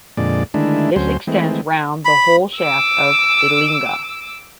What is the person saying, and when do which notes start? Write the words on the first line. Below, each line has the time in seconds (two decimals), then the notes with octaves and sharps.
This extends round the whole shaft of the linga.
0.17 F2 A#2 D3 G#3 D5
0.54 D3 D#3 G#3 A3 D4 E4
0.96 D2 F#3 C#4 C5
1.27 E3 G#3 A3 C4
2.05 B5
2.57 D6 E6